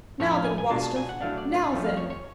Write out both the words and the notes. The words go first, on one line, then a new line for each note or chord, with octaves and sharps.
"Now then, Wostov, now then!"
A2 F3 A3 C#4 C#5
F5
G#5
G#5
B2 G#3 D4 F4 A5
A5
G#5
F#5
A2 F#3 A3 D4 F5
D5
B4
F2 F3 A3 C#4 C#5
F5
C#5
C#5